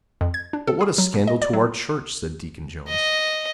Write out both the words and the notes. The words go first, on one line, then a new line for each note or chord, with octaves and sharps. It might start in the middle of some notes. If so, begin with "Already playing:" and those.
"But what a scandal to our church!" said Deacon Jones.
F2
G#6
D4
A4
G#4
F#3
B2
D#5
D5
F#3
D#5